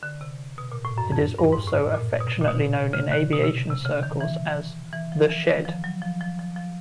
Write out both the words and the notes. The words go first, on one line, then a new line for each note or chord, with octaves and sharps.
It is also affectionately known in aviation circles as "The Shed".
D3
C3
B2
A#2
A2
F#2
F2
G2
G#2
A2
A#2
B2
A#2
B2
C#3
D3
B2
C3
C3
C#3
D#3
E3
E3
F3
E3
D#3
F3
F#3
F3
F3
F3
F3